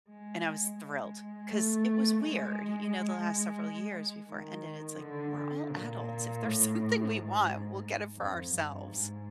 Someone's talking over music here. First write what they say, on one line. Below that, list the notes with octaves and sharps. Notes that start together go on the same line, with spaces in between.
And I was thrilled, 'cause it was weird, you know, the last several years before it ended, it's like "We're all adults, if there's something we want, we'll get it for ourselves."
G#3
G#3
A3
G#3
D#3
D3
D3
A#2
A2
G#2
F2
G2
G#2